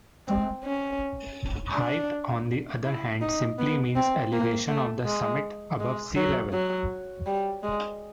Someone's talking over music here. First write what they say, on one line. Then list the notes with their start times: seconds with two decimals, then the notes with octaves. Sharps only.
"Height" on the other hand simply means elevation of the summit above sea level.
0.28 C4
0.64 C#4
1.74 D4
2.85 E4
3.21 D#4
3.59 B3
3.96 C4
4.33 A#3
4.69 A3
5.05 G#3
5.80 G#3
6.16 F#3
6.52 F#3
7.26 G3
7.63 G#3